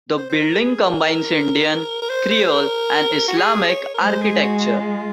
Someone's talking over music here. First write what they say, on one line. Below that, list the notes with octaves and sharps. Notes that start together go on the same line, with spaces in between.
The building combines Indian, Creole and Islamic architecture.
C5
C5
A#4
G#4
A#4
A#4
C5
C5
A#4
F#4
G#4
C#5
A#4
G#3 C5
G#4
F#4
F#4
F4